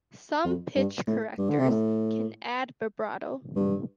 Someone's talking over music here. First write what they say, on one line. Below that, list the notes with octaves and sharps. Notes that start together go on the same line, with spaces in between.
Some pitch correctors can add vibrato.
F2
G2
A2
G2
D3
C3
A2
G2